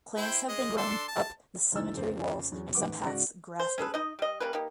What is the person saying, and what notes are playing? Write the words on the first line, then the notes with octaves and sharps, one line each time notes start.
Plants have been grown up the cemetery walls and some paths grassed over.
E4 C5 G5
G#3 D#5
D4 A4 C6
A5
F#1 D2 E3 D#4 E6 A6
F2 C#3 C5
E2 F#3 C#4
A1 D#3 B4 F#5 D6
G#2 C#3 F#4 D5 A#6
C5
C#4 G#4 A4 B4
D#4 D#5
G3 D#5
G3 A#3 C#4 B4
A#3 D#4 G4